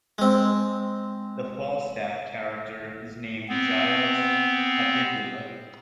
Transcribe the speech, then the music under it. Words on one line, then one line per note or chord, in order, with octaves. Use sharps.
The Falstaff character is named Giles Habibula.
G#3 C4
B3 C4